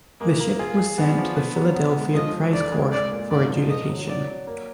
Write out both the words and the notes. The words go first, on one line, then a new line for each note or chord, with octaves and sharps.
The ship was sent to the Philadelphia Prize court for adjudication.
G#3 A#3
A#3
F4 G#4
G#4
B3 D5
F3
B3
F#3
B3
G#3
F3 D#5
F3
D2 D5
G#3
G#3 D5
A#2
G#2 D5
F3
A#3 D#5
F#3
F#3 D5
F#3
A#3